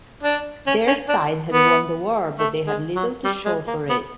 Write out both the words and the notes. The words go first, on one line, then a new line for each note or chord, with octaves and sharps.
Their side had won the war, but they had little to show for it.
D4
C#4
C#4
D4
B3
A3
G#3
F#3
G3
G#3
A#3
B3